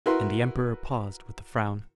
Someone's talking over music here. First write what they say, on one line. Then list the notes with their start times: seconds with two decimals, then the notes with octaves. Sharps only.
And the Emperor paused, with a frown.
0.06 E4 F#4 A#4 B4 C6